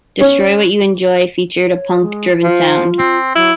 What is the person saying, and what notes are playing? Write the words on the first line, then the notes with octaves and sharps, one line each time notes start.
"Destroy What You Enjoy" featured a punk-driven sound.
C#4
C#5
G#3
F3 F4
C4
F#3 E4